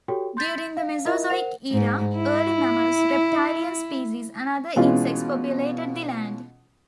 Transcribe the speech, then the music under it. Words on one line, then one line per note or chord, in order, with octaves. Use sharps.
During The Mesozoic Era, early mammals, reptilian species, and other insects populated the land.
F#4 G4 A4 C#5 G5
C6 G6 A6 B6
F5
E4 F4 A#4 D#5 E5
A#4 C5 F#5 F7
G#2
E4
B2 E3 G#3 C#4 F4